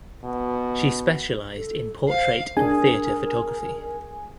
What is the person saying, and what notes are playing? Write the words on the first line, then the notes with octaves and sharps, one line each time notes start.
She specialised in portrait and theatre photography.
B2
A4
C5 F5
D4 G#4 A#4 G#5